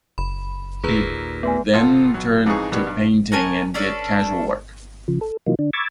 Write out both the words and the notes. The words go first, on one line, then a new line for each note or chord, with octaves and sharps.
He then turned to painting and did casual work.
F#1 B5
D#2 A#2 G#4 B4 A#5
A3 B3 B4 G#5
B1 F2 F4 A4 C6
B2 F#3
F2 G#2 E3 D#4 G#4 C#6
B2 D#3 F#3 G3 B3
G2
F#4 A#4 G#5 A5
C#4 D4 A4 B4
C#3 F3
A4
C3 E3 F#3 A#3 D#4 F4
D3 D4
B5 C#6 D6 E6 G#6 A6